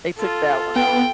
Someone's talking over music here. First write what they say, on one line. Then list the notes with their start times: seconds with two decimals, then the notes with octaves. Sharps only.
They took that one off.
0.17 F4 A4
0.76 B3 G5